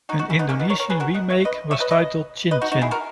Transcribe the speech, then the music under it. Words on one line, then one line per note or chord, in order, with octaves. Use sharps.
An Indonesian remake was titled "Cincin".
D#4 F#4
D#4 F#4
C#4 E4
B3 D#4
A#3 C#4
B3 D#4
A#4 C#5
A#4 C#5
G#4 B4
F#4 A#4
D#5 F#5
C#5 E5
B4 D#5
C#5 E5
B4 D#5
B4 D#5
B4 D#5
D#4 F#4
D#4 F#4
E4 G#4
F#4 A#4